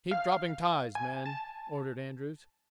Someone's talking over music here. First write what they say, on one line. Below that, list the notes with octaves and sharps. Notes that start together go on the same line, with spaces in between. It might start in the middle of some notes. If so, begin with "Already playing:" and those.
"Keep dropping ties, men," ordered Andrews.
F5
G#5
A5